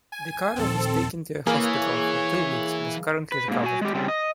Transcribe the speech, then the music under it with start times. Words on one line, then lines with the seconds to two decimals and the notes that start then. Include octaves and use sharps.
De Caro was taken to a hospital for two weeks and is currently recovered.
0.12 G#5
0.56 D#2 A#2 F3 C4 A4
1.47 E3 A#3 G#4 C#5 F5 G#5
3.32 B4
3.48 G#2 A#3
3.64 F#4 G#5
3.81 G#3 G4
3.95 C#3 G3 C4
4.08 D#5